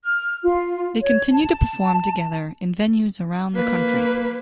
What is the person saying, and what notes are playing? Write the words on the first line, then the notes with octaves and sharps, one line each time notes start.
They continue to perform together in venues around the country.
F6
F4
C#5
A5
A#3 B4